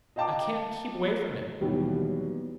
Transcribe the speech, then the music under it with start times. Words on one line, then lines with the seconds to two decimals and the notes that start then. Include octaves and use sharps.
'I can't keep away from it.
0.16 D#5 F5 G5 A5 A#5 D6
1.61 D#2 B2 E3 F#3 G3 B3